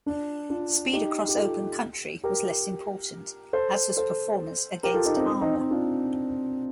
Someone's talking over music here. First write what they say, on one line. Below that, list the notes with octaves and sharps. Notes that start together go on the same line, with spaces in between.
Speed across open country was less important, as was performance against armour.
D4
D4 F4
D#4 G4
G4
F4 A4
G4 A#4
A4 C5
A4 C5
G4 A#4
F4 A4
D#4 G4
C4 D#4
C4
C4 D#4
C4 D#4
D4 F4